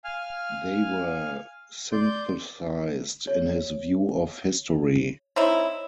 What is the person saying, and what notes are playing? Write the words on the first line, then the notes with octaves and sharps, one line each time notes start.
They were synthesized in his view of history.
F5 G#5 F6
D5 C6 G6
C#5
C4 D#4 E4 C#5